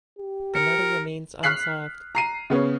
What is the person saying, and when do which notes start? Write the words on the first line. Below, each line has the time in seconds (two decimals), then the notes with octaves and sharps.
The murder remains unsolved.
0.19 G4
0.55 A#4 C#7
1.43 F6 F#6 B6 C7 F#7
2.15 A#5 C7 D#7
2.50 C#3 B3 C#4